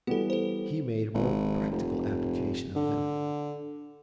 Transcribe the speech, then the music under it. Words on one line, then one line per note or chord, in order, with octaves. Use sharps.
He made a more practical application of them.
E3 G3 B3 F#4 A4
A4 C5
G#1
F1
D3